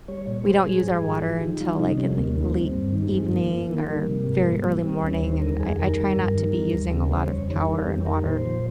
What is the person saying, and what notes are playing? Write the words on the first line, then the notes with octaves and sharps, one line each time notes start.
we don't use our water until like in the late evening or very early morning, and I I try not to be using a lot of power and water
G3 C#5
A#2 C#5
G3 C5
G3 G#4
G#2
F3
F3
D#3 G4
G3 F4
C3 D#4
G3 C#4
D#2 A#3
D#3 A#3
G3 C4
G2
D#3
G2 G#3
F3 A#3
F3 A#3
D#3 A#3
G3
C3
G#2
G3
G3
G3 C4
D#2 C#4
C#5
D#3 C5
G3 A#4
F2 G#4
D#3 A#4
G3
G2
D#3
G3
D#2
C#3
G3 C5
F2 C#5
D#3 C#5
G3 A#4
F2 G4
D#3 A#4
A#2 C5
F3